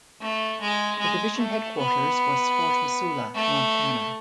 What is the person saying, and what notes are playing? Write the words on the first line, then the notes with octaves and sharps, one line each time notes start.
The division headquarters was Fort Missoula, Montana.
A3
G#3
G#3
A3
B3
A3